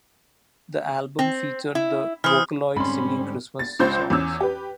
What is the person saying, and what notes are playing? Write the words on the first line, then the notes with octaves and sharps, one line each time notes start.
The album featured the Vocaloid singing Christmas songs.
C4
E4
E3 C5 D#6 F6
G#2 D3 G3 C4 C#4 B5 C6
A6
C#2 C5 G6
E2 C#4 E6
G4 B4